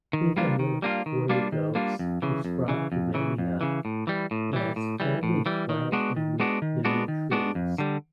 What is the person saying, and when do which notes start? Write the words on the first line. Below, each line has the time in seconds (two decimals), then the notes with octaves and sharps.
Hethum of Korykos described Cumania as "wholly flat and with no trees".
0.13 D#3
0.37 G3 A#3 D4 F4
0.59 D#3
0.82 G3 A#3 D4 F4
1.06 D#3
1.29 G3 A#3 D4 F4
1.52 D#3
1.75 G3 A#3 D4 F4
1.99 F2
2.22 C#3 E3
2.45 F2
2.68 C#3 E3
2.92 F2
3.14 C#3 E3
3.38 F2
3.61 C#3 E3
3.85 A2
4.07 E3 G3
4.31 A2
4.53 E3 G3
4.76 A2
5.00 E3 G3
5.23 A2
5.46 E3 G3
5.69 D#3
5.92 G#3 B3 D4 F#4
6.16 D#3
6.40 G#3 B3 D4 F#4
6.62 D#3
6.85 G#3 B3 D4 F#4
7.08 D#3
7.31 G#3 B3 D4 F#4
7.55 F2
7.78 D3 G3